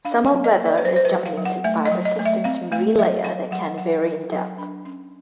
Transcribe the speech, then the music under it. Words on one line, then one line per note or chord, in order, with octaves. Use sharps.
Summer weather is dominated by a persistent Marine layer that can vary in depth.
D4 F5
F5
F#3
D#5
A#3
D5
B4
F#3 C5
C5
B4
F#3
F5
F#3
F#5
A3 E5
D#5
F#3
D#5
A3
E5
C4 F5
A3 F5
F#3 E5
F#3 F5
F#3 F#5
F#3 F#5
F#3
F#3
D4
C#4